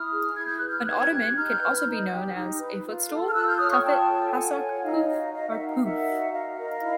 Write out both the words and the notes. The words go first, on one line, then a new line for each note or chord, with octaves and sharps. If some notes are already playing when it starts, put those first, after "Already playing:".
An ottoman can also be known as a "footstool", "tuffet", "hassock", "pouf" or "pouffe".
Already playing: E4 D#6 F6
G#4
E4 G#6
G6
B4 F#6
F6 G6
D#4 F#6 G#6
G4
D#4 F6 G6
B4
D#4
G4
D#4
B4
F4
A4
F6
F4 E6 F#6
F6 G6
C#5 D#6 F6
C#6 D#6
F4 G5 A5
A4
F4 F#5 G#5
C#5
D#4 D#5 F5
F#4
D#4 D#5 F5
E5 F#5
A#4
F5 G5
D#4 E5 F#5
F#4
D#4 D#5 F5
A#4
E4